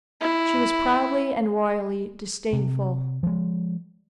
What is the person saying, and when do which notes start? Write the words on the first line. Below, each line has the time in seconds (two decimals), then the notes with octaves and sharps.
She was proudly and royally disdainful.
0.21 E4
2.53 C3
3.23 F3 G#3